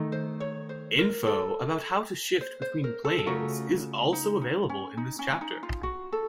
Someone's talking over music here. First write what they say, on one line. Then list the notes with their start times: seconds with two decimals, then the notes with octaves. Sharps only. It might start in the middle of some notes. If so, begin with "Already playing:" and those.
Info about how to shift between planes is also available in this chapter.
Already playing: D#3 A3 D#4
0.12 C5
0.40 C#5
0.69 C5
0.99 A#4
1.27 A4
2.41 C5
2.62 C5
2.84 A#4
3.05 A4
3.18 A4
3.26 C#3 A3 C#4 F4 F#4 A#4
4.13 D#4
4.41 D#4
4.69 C#4
4.97 D#4
5.19 C#4
5.32 C#4
5.41 D#4
5.63 F4
5.83 F#4
6.13 A4